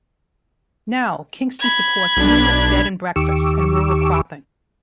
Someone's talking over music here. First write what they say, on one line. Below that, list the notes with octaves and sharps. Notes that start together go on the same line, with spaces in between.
Now, Kingston supports numerous bed and breakfasts and rural cropping.
B5 G#6
B1 D4
D#2 D#3 G4 C#6 D6 E6